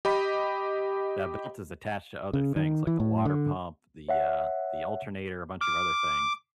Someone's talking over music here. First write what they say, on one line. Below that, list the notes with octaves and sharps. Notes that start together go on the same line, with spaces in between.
That belt is attached to other things like the water pump, the, uh the alternator, a bunch of other things,
G4 D#5 B5
C#3
D#3
E3
A2
D3
C#5 E5 F#5
D6 F6